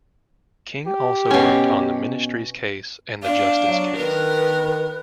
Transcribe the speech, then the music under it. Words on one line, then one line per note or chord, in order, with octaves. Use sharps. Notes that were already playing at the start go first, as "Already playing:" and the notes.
King also worked on the Ministries Case and the Justice Case.
G4
B2 C#4
D4 F5
F#3
D#3 A#4 B4